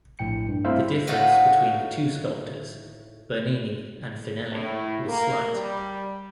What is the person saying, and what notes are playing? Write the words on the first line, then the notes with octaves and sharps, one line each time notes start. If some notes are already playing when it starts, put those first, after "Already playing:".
The difference between the two sculptors, Bernini and Finelli, was slight.
A#1 A2 G5 C#7
G2
A3 C4 E4 C5 E5 F5
A2 D#4 F4 F#4 B4
A2
A#3
G3